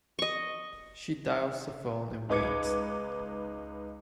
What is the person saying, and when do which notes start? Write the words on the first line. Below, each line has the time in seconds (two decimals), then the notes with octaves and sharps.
She dials the phone and waits.
0.19 D#5 C#6
2.29 C#2 D#4 B4 D6 G#6 C#7